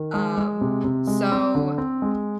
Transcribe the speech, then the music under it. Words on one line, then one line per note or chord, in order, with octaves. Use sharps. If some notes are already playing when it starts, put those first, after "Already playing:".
Um, so,
Already playing: D#3
G#3
G#3
C3
C3
G#3
C4
D3
C4
G#3